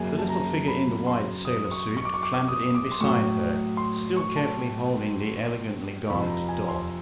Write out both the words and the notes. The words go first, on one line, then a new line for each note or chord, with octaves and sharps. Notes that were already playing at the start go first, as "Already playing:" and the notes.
The little figure in the white sailor suit clambered in beside her, still carefully holding the elegantly garbed doll.
Already playing: F#2 C#3 F#3 A#3 G#5
A5
A#5
B5
C6
D#6
C#6
C#6
D6
C#6
D6
D#6
D6
C6
A2 F#3 A3 C#6
C6
C#6
A5
F2 C3 F3 B5
B5
A#5
G#5
C6